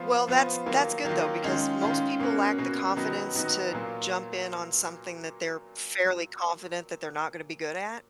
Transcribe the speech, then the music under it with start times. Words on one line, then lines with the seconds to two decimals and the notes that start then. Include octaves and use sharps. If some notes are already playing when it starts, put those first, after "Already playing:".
Well, that's that's good though, because most people lack the confidence to jump in on something that they're fairly confident that they're not gonna be good at.
Already playing: F3 B3 F4
0.28 F3 B3 F4
0.66 D#3 F#3 A#3 F4
1.04 D#3 F#3 A#3 F4
1.43 D#3 G#3 C#4 F4
1.81 D#3 G#3 C#4 F4
2.20 B2 A#3 C#4 F#4
2.58 B2 A#3 C#4 F#4
2.96 D#3 F#3 B3 D#4 F#4
3.35 D#3 F#3 B3 D#4 F#4
3.73 A#2 F#3 A#3 F4